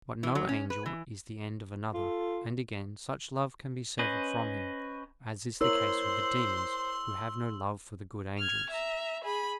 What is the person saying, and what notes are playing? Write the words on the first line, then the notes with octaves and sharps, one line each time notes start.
But no angel is the end of another; and again, such love can be severed from him, as is the case with the demons, who have no love for the good angels.
E3
F#3
C#4
B4
E3
F4 A4
C#4 B4 C5 D#5
E4 A#4 C5 C#5 C6 E6 F#7
F6 G#6
E5 A#5
G#4 B5